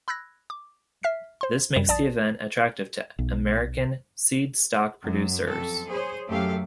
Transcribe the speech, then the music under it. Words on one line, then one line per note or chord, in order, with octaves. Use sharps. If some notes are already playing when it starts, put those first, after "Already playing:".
This makes the event attractive to American "seedstock producers".
B5 E6 F#6 G#6 A#6
D6
E5 F6 B6 C7
C5 C6
F#2 G3
A#1 D5 A5 D#6 A6
B1
F#2
F2 A4
G#4 C5 C#5
F#2 A3 G4 A4 F5